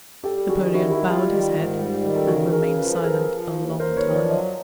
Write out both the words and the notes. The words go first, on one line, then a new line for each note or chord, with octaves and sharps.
Napoleon bowed his head and remained silent a long time.
G3 G4 A4
D#3 F#4 G#4
G3 E4 F#4
E4 F#4
G3
F4 G4
D#3
G#2
G3
D#3
A4
C#3 F#4 G#4
C#3 G#4 A#4
F3 B4
C5
A4 B4
F3 G#4 A#4
F3
D#2
D#2 A#4 C5
B4 C#5
F3
C5 D5
F#3 C#5 D#5